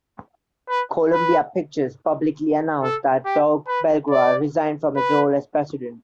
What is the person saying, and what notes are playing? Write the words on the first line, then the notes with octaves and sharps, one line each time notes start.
Columbia Pictures publicly announced that Doug Belgrad resigned from his role as president.
B4
B4
A4
G4
B4
D5
B4